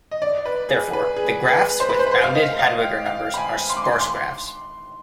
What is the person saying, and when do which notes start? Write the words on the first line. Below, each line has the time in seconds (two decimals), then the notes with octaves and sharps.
Therefore, the graphs with bounded Hadwiger number are sparse graphs.
0.11 D#5
0.22 D5
0.46 B4
0.69 G#4
0.93 B4
1.16 G#4
1.48 B4
1.80 C5
1.89 B4
1.99 C5
2.06 B4
2.11 C5
2.24 F5
2.35 D#5
2.59 F5
2.82 G5
3.06 F5
3.34 B5
3.38 G#5
3.70 C6
3.77 D6
3.84 C6
4.01 C6